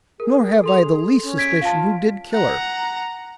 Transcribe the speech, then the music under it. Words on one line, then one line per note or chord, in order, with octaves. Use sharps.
Nor have I the least suspicion who did kill her.
G#4 A#4
A4 C6 F7
C#4
G#6 B6 D7
F4 F5 A5
F#5 A#5